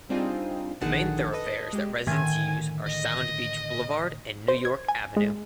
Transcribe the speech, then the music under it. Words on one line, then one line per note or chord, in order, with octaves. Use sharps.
The main thoroughfares that residents use are Sound Beach Boulevard and New York Avenue.
G3 C4 D4 D#4 F4 G#4
A#1 D3 D#3 G#4 F#5 A5
A4 B4 D#5
G#3 G4
A2 D3 D#3 G#5
D#5
C5
G#6
G#5
G#3